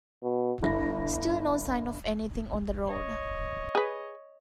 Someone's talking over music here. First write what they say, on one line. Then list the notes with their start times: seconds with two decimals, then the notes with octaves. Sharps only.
Still no sign of anything on the road.
0.23 B2
0.63 G1 E4 A#6
0.94 E4
2.87 C#5 D#5
3.75 G#4 B4